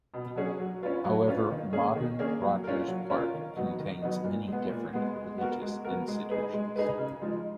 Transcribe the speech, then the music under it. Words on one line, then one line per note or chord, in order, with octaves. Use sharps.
However, modern Rogers Park contains many different religious institutions.
B2
F#3 C#4 G#4
F#3
C#4 F4 B4
F#3
C#4 F4 B4
D#3
A#3 C#4 G#4
D#3
A#3 C#4 G#4
F#3
C#4 F4 A#4
F#3
C#4 F4 A#4
D#3
F#3 B3 D#4
D#3
F#3 B3 D#4
A#2
G#3 B3
A#2
G#3 B3
G#3
B3 F#4 A#4
G#3
B3 F#4 A#4
G#3
D#4 G#4 B4
G#3
D#4 G#4 B4
C#3
F3 G#3 D#4